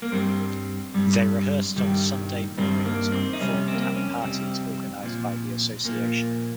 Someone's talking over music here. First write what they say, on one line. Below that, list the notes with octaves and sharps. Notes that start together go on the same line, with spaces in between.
They rehearsed on Sunday mornings and performed at parties organized by the association.
A#3
G2 G3 C4
G2 G3
G2 D#3 G3
G2 D#3 G3 C4
A#3
C4
D#4
F2 C3 G3 C#4
C4
A#3
C4
C#4
F2 C3 G3 C4
A#2 F3
A#2 F3 A#3